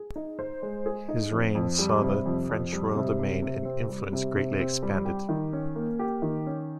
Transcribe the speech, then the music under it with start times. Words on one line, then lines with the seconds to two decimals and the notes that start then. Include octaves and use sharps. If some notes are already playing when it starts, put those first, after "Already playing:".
His reign saw the French royal domain and influence greatly expanded.
Already playing: G#4
0.16 D#4
0.39 C5
0.62 G#3
0.86 G#4
1.09 D#4
1.32 F2
1.55 F2
1.79 G3
2.02 C3
2.26 F2
2.49 F2
2.72 G3
2.95 C3
3.19 C3
3.42 C3
3.65 C4
3.89 G3
4.13 C3
4.36 C3
4.59 C4
4.82 G3
5.05 G4
5.29 D#3
5.53 C#4
5.76 A#3
5.99 G4
6.22 D#3
6.47 C#4